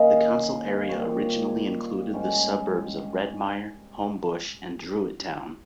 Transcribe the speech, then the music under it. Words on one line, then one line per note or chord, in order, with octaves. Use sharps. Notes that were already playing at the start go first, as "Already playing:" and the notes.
The Council area originally included the suburbs of Redmire, Homebush and Druitt Town.
Already playing: D#3 A#3 C#4 D#5 F5
A#2 G3 C4 C#5
G#2 G3 C#4